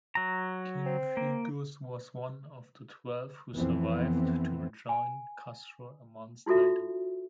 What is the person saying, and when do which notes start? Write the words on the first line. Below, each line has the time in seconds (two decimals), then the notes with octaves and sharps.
Cienfuegos was one of the twelve who survived to rejoin Castro a month later.
0.15 F#3 A#5
0.85 C4
1.17 A#3
3.54 F2 E3 B3 C4
4.89 G#5
6.46 D#4 F4 F#4 A4 E5